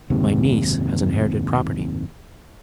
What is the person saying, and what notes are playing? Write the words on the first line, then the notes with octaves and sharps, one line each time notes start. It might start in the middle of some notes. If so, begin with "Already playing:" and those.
"My niece has inherited property."
F#1 D#2 G#2 C3